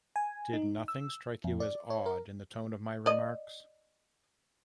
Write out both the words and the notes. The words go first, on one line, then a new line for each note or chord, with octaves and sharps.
Did nothing strike you as odd in the tone of my remarks?
G#5
D#4
E6
F2
D5
C#5
A#4
D5 D#5